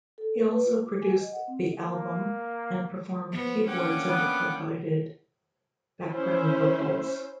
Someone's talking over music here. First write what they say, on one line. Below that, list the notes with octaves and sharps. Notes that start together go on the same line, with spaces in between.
He also produced the album and performed keyboards and provided background vocals.
A4
A#3
B4
F4
D6
G#5
D#5
F#5
C4
A#3
F3 B3
A#3 C#4 D4 F#5 G5 D6
B3
C#4 E4 C5